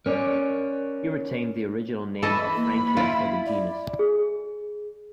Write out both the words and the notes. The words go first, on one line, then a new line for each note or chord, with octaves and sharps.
He retained the original name of "Frankia" for the genus.
C#4 A#4 C#5 D5
E3 A4 D#5 B5
A#3
E4 F4
D5
G#4